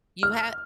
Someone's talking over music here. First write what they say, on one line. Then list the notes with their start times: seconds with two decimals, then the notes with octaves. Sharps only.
You ha
0.23 F6